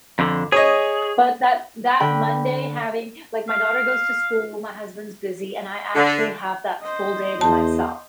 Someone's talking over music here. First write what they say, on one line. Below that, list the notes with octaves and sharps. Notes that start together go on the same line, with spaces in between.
but that that Monday having like, my daughter goes to school, my husband's busy and I actually have that full day to myself.
F2 D3
G#4 C#5 D#5
D3 G5 B5
F5
D3
C5 D#5
E2 A5